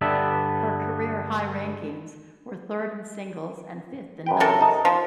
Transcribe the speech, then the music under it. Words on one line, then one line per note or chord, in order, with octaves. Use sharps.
Her career high rankings were third in singles and fifth in doubles.
G2 D3 B3 D4 G4 E5
F#2 B4 G5
C3 A4 A#4
D#4 A5
F3